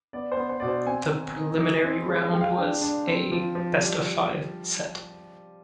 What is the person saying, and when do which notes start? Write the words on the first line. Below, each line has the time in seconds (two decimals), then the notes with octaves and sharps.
The Preliminary Round was a best-of-five set.
0.13 B3 D5
0.32 C5
0.37 B3
0.49 C5
0.60 B2 D5
0.68 C5
0.86 C4 G#5
1.11 D#3
1.36 D#4
1.59 D#4
1.84 C4
2.09 G#3
2.33 G#3 G5
2.41 F5
2.50 G5
2.58 D4
2.81 D4
3.07 C4
3.32 F3
3.55 F3
3.80 G3